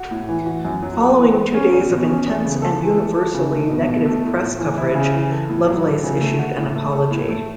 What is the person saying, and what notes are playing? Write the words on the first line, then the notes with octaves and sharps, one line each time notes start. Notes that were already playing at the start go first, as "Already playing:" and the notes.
Following two days of intense and universally negative press coverage, Lovelace issued an apology.
Already playing: F#4
A2
E3
F#4
F#2
F#3
A4
E3
B3
C#4
E2
B2
C#4
E2
C#3
A4
E3
A3
A4
C#3
A3
B2
B2
A3
A2
A2
E3
E4
C#3
E3
A4
A2
F#3
A4
C#3
A3
F#4
A2
A3
A4
A2
A3